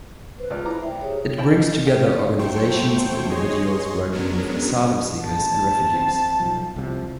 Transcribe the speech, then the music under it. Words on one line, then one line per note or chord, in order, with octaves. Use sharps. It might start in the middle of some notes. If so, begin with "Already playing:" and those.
It brings together organisations and individuals working with asylum seekers and refugees.
B4 C5
C#2 F4 D5 F6
E4 A#5 D6
C5 E5 G5
G4 G#4 C#5
C4 E4 G5 A5
D#4
D#3
G4
F4 A4
F#3 A3 C5 G5 C#6
G#4 C#5 D#5 C6
F#3 G#3 B3 C#4 D4 A#4
A1 A5
C4
B1 F3
C2 C3 F3